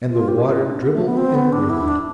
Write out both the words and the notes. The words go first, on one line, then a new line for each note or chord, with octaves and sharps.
And the water dribbled and dribbled.
F4
G4
F4
E4
D4
B3
A3
B3
C4
B3
D4
E4
D4